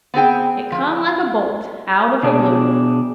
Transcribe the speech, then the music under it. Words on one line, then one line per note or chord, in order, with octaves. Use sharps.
It come like a bolt out of the blue.
B3 C4 G#4 G5
F3
B2 D4 G#4